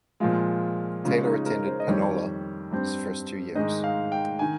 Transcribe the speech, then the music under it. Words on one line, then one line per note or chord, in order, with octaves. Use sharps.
Taylor attended Panola his first two years.
A#2 F3 G#3 F4
C#3 G#3 C#4 F4
D#4
A#4
C5
D#5
F2 D#3 G3 C#5
G2 G3 C4
G#2 D#3 G#3 D#5
F5
G5
D#3 G#5